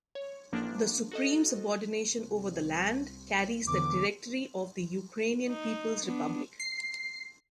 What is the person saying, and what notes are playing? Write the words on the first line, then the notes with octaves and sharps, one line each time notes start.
The Supreme subordination over the land carries the Directory of the Ukrainian People's Republic.
C#5
A1 F3 A#3 D4
F#4 A4 D#5
C2
E2 D3 D6
D#4
B3 D4
C7